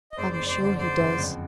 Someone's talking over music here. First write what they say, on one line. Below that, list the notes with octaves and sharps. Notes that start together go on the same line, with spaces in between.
"I am sure he does."
D#5
F#1 C5 D5
C5 D5
F2
C5 D5
D3 C5 D5
F#1 C5 D5
F#1
F2